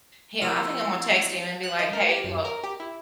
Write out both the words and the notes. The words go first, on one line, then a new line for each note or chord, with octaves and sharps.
him I think I'm gonna text him and be like, "Hey, look"
F3 C4 E4 G4 A#4 C5 E6
F#6
D#5
A#4
G4
F#2
A#4
G4
E4